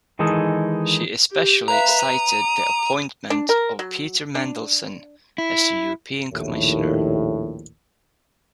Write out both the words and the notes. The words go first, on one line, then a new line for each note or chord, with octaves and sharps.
She especially cited the appointment of Peter Mandelson as a European Commissioner.
D#3 E3 G#3 D#4 G#4 A4
G4
B4 E5 F5 A#5
D#6
D4
A#4
F#3
D4
E4
A#1 D#2 A2